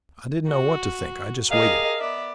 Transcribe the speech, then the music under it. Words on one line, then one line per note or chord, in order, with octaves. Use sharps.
I didn't know what to think; I just waited.
F#4
G4 G#4 A#4 D#5 F5
B3 D5 E5